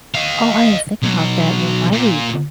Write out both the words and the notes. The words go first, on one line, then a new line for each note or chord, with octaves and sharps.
Oh, I didn't think about that. You're right.
D#5 F5
B2 F#3
A#2